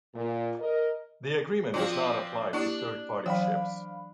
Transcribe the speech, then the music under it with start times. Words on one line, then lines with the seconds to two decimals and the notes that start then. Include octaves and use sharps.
The agreement does not apply to third party ships.
0.14 A#2
0.59 A#4 D#5
1.74 F3 C4 D4 F4 F#4 C6
2.53 A#3 D4 E4 G4
3.26 E3 F#3 C5 F5 G5 B5